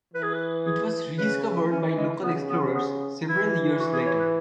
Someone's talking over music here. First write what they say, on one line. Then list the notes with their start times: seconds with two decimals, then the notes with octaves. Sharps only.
It was rediscovered by local explorers several years later.
0.14 E3 B4
0.23 G#4
0.34 B4
0.66 G#4
1.18 C#3 B4
1.71 E3 C#4
1.97 G#3
2.23 C#3 B3
2.49 B3
2.75 B3
3.28 E3 E4
3.80 F#4
3.93 G#4
4.06 C#5
4.19 B4